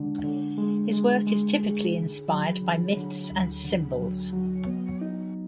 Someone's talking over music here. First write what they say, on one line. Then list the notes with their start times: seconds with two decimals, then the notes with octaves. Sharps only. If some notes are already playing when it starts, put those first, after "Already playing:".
His work is typically inspired by myths and symbols.
Already playing: D3 G#3 D4
0.24 D3
0.58 G#3
0.93 G#3
1.27 G#3
1.60 G#4
1.94 D3
2.28 F#3
2.62 D3
2.97 D3
3.31 D2
3.64 D3
3.98 F#3
4.33 F#3
4.67 B3
5.01 D#4